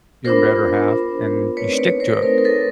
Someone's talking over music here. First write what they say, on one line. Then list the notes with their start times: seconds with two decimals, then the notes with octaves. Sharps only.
your better half, and you stick to it.
0.25 B3 D4 F4 A#4 C5
0.91 B3 D4 F4
1.57 A3 C4 D#4 B4 C#5
1.73 D5
1.78 B4 C#5
2.00 A#4 C5
2.22 A3 C4 D#4 A#4 C5
2.38 A#4
2.44 A4 B4